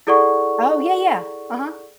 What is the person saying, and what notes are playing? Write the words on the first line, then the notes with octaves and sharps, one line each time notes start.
Oh, yeah, yeah. Uh-huh.
E4 G#4 A4 D5 F#5 C#6